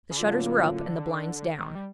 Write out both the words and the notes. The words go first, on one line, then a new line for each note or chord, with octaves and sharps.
The shutters were up and the blinds down.
C#3
A2 D3 F#3 A#3 C#4 F4
D#3
G3